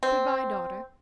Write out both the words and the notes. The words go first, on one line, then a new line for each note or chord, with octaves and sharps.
Good-bye, daughter.
C4